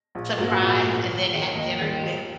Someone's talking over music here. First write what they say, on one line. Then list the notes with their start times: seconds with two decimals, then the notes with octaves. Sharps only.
"Surprise," and then at dinner, you
0.15 A#1
0.38 G#2 F#3 A#3
0.61 A#1 F#5
0.84 G#2 F#3 A#3
1.09 D#2
1.33 D#3 G#3
1.55 D#2 D#5
1.79 D#3 G#3
2.03 D#2